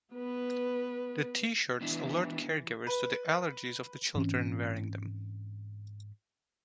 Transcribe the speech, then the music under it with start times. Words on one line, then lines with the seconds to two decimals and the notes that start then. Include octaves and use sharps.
The T-shirts alert caregivers to the allergies of the children wearing them.
0.14 B3 B4
1.81 E3 B3 D4 E4
2.87 B4
4.15 G#2 E3 C4 C#4